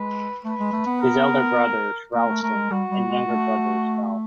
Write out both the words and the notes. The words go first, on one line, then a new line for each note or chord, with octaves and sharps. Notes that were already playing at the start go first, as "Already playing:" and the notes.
His elder brother is Ralston and younger brother is Ralph.
Already playing: G#3 B4
A3 B4
G#3
A3
B3
A#4
A#3 A#4
A3
A3 A#4
G#3
G3 F#4
G3
G#3
A3